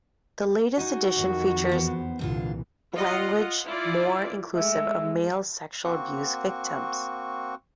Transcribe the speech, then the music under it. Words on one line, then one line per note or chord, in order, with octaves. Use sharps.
The latest edition features language more inclusive of male sexual abuse victims.
D#4 F#4 D#5 G#5
F2 D#3 F3
E2 B3 C5
C2 G2 A#2 D3 E3 F4
F4 D#5 F#5
E4 F4 D5
G#3 A3 E5
A#3 C4 F#4 C#6